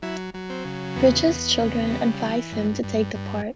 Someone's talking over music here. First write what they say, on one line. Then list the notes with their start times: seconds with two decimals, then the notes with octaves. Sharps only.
Bridges' children advised him to take the part.
0.02 F#3 E4
0.34 F#3
0.50 C4
0.65 C#3
0.96 E2 B3
1.27 E2
1.59 C#3
1.90 G3
2.21 E3
2.52 G2
2.83 G2
3.15 G2